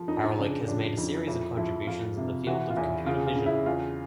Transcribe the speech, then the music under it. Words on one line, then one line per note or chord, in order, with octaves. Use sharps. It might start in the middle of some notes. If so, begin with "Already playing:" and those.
Haralick has made a series of contributions in the field of computer vision.
Already playing: F3
F2 D#4
D4
D#4
C#3 D4
F2 D4
F2 D#4
F2 E4
F3 E4
F2 F4
C3
E3 F#4
F4
E2 E4
C#3 F4
F4
C#3
E4
E2 F4